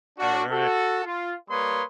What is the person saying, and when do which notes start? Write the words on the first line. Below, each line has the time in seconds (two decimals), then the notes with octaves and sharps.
All right.
0.19 D4 F#4
0.51 F#4 A4
1.05 F4
1.50 G3 A#3 B4 C#5 C6 D#6